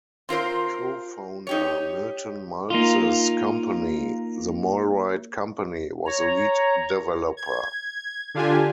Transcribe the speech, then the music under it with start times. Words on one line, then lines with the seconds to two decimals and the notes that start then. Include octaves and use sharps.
Co-founder Milton Maltz's company, The Malrite Company, was the lead developer.
0.29 C4 F4 A#4 C5
1.47 D#4 G4 C#5
2.70 A#3 D#4 F4
6.06 C#5 A#5
7.37 G#6
8.34 D3 D4 F4 G4 G#5